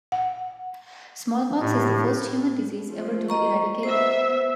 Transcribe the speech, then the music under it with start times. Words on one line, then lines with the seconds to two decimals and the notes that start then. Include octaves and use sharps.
Smallpox is the first human disease ever to be eradicated.
0.12 F#5
1.60 A2 G4
2.91 F3 A3
3.29 D#5 A#5 C#6
3.83 B3 C5 E5